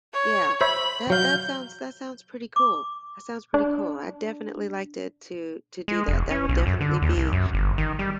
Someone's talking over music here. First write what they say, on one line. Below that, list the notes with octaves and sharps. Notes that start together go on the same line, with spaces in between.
Yeah. That that sounds that sounds pretty cool. That sounds pretty cool, I'd definitely like to to to do that. That would definitely be
C#5
C5 C#5 E5 B5
F#3 F5 G6
D6
D4
G#3
F1
C#4
B1
F#2
D3
D#2
C2
F#2
G1
D#3
G3